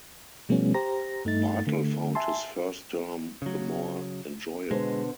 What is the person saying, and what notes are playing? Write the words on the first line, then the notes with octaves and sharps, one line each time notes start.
Bartle found his first term the more enjoyable.
B2 F3 G3 A3 B3 C#4
G4 C5 A#5 A#6
G2 A3 D#4 A6
D3 A3
E5 G#5 A5 C6
C#3 F#3
B2 D3 G#3 C5